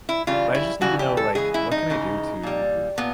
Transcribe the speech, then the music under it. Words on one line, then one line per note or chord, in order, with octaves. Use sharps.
But I just need to know, like, what can I do to, uh,
E4
C#3 E3 G3 F4
E4
C#3 E3 G3 F#4
G4
A4
C#3 E3 G#3 G#4
E4
D#4
C#3 E3 G#3
A#2 G3
A#2 B3